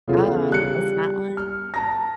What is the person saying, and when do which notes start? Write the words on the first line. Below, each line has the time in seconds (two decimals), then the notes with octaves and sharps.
Ah, it's that one?
0.08 C#3 E3 B3 F4 G#4 A4
0.50 G3 F#6 C#7
1.37 F6
1.74 A5 A#5 A#6